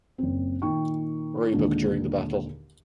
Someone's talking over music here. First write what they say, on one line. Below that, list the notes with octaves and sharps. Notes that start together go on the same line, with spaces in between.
Roebuck during the battle.
F#1 C4
A#2 D#3 G5 C#6
D#2 A#2 D3 G#3 D4